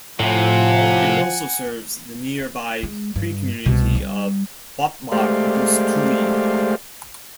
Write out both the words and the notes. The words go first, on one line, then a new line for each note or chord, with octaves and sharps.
It also serves the nearby Cree community of Whapmagoostui.
A2 C3 F3 F#5 G#5
G#3
G2
C2 B2
G3
G#3 A3 G4 C5 D5 F5